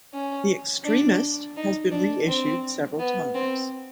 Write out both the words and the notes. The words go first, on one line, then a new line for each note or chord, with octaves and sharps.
"The Extremist" has been reissued several times.
C#4
D4
D#4
D4
C4
B3
C4